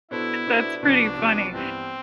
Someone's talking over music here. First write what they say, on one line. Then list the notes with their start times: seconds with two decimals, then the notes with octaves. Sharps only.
That's pretty funny.
0.11 B2 B3 D4 E4 A4 C5
0.46 B2 B3 D4 A4 C5
0.82 C2 C3 F3 B3 D4
1.17 C2 C3 F3 B3
1.53 G2 E3 B3 C4 E4 G4